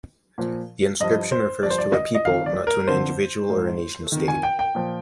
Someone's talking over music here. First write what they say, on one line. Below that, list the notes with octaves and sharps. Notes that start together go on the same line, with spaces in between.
The inscription refers to a people, not to an individual or a nation-state.
A#2 F3
G2 F3 D#5
C5
G2 F3 D5
C5
D5
D#5
D#5
F2 D#3 F5
D5
A#4
F2 D3 F3 C5
G#2 F3
F2 D#3
G#5
G5
G5
A#2 F3